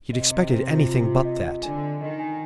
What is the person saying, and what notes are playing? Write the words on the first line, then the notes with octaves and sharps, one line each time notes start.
He had expected anything but that.
C3 D#5
D#5
C5
F4
F4
F4
D#5
D#5
D3 G#5
G#5
D#3 D#5
G#5